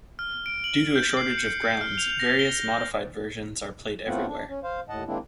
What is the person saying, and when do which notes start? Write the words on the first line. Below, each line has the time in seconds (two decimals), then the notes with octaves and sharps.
Due to a shortage of grounds, various modified versions are played everywhere.
0.19 F6
0.46 D7
0.64 F#7
0.96 G6
1.17 C7
1.38 C#7
1.62 G6
1.81 F6
1.98 F7
2.20 A#6
2.39 G7
2.71 G6
4.06 A2 A3 B3 C4 F4 F#5
4.27 D4
4.48 C#4
4.63 C5 F5
4.89 D#2 A2 D#5 F#5 A5
5.07 D#3 G#3 A#3 C4 D4 E4